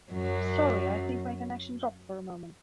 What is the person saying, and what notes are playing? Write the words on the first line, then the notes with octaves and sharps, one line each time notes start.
Sorry, I think my connection dropped for a moment.
F#2 F#3